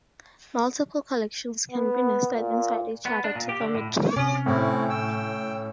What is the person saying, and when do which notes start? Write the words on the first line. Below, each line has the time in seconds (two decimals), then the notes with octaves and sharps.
Multiple collections can be nested inside each other to form a tree.
1.71 B3
2.32 A#2
3.06 B3
3.24 D4
3.35 A#2
3.49 G4
3.61 D3
3.75 A2
4.16 C3 C#4
4.46 A2 C4 E4
4.89 G5 E6